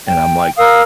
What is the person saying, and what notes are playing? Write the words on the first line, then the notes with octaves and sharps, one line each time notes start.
And I'm like,
G5
A#4 F5 D#6 E6